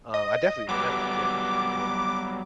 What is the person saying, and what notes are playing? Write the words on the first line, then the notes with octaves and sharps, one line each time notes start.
uh, I definitely will never forget her, ever,
D#5
F#3 G3 B3 D6